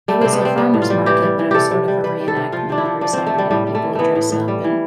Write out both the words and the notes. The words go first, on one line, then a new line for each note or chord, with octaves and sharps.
it was a farmer's market, but it was sort of a reenactment. Every Saturday, people would dress up and
G3 A3
C3 C4
B3
G3 C4
G3 B3
A2
F4
G3
E3 G4
G3
E3
C3 G4 A4
C3
G3
G3 B4
G3
A4
C3
F3 F4
C3 D4
E4
F3
F3 D4
F3 C4
A3
C3 G3
A2 G3
G3
A3
E3
E3 A3 B3
A2
A2
G3
E3